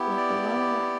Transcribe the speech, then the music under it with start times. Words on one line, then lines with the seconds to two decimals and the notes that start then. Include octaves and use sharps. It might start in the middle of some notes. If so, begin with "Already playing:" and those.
like, the low-ri
Already playing: B3 E4 G4
0.17 D5